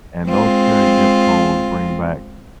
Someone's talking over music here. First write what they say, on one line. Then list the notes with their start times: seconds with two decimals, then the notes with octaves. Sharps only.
And those cherry-dip cones bring back
0.24 G#3 C4 F4